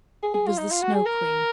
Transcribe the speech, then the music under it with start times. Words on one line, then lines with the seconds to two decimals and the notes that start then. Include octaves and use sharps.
It was the Snow Queen.
0.23 G#4
0.34 G#4
0.47 F4
0.58 D#4
0.70 F4
0.82 F#4
0.94 G#4
1.06 A#4